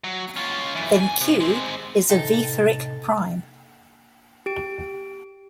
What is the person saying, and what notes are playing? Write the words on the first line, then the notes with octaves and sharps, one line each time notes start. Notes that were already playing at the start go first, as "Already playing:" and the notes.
Then "q" is a Wieferich prime.
F#3
C#4 F4
F#2 E3
C2 G#5
C3
G#3 C4
A2 C3 D#4 G5 A5
G4 D7